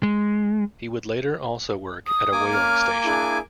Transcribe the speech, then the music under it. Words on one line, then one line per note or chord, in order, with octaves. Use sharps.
He would later also work at a whaling station.
G#3
D#6
A#3 G#5 D6
C#4 F6
D4 E4 G#4